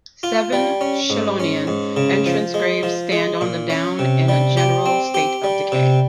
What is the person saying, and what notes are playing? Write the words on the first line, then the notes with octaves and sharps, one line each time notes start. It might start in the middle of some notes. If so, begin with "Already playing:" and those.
Seven Scillonian entrance graves stand on the down in a general state of decay.
F4
G3
C#4
G#2
C#4
G#2
C#3
F3
G#3
F3
G#3
A#2
C#4
C3
G3
G4
C4
G4
G3
C3